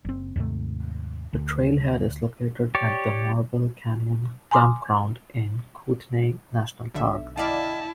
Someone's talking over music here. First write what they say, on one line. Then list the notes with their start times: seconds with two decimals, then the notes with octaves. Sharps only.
The trailhead is located at the Marble Canyon Campground in Kootenay National Park.
0.05 F#1 C4
0.36 D#2 G#2 C3 A3
1.33 D2
2.75 G4 C#5 D5
4.51 G#5 A#5 C6 D6 D#6 F6
6.94 B1 D3 E5
7.37 E4 D5 D#5 F5 G5 A5